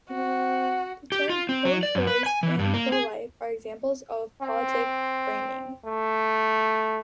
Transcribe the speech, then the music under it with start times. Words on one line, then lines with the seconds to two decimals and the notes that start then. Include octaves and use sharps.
The terms "pro-choice" and "pro-life" are examples of political framing.
0.10 C4 F#4
1.12 G4
1.30 F4
1.49 C4
1.65 F#3
1.83 D5
1.95 F#2
2.07 B4
2.26 G#5
2.43 E3
2.59 G2
2.74 A#3
2.92 G#4
4.42 C4
5.85 A3